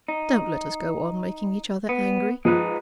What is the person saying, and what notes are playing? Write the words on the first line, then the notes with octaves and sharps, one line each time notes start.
'Don't let us go on making each other angry.
D#4
B3
F3 G#3 D#4 B4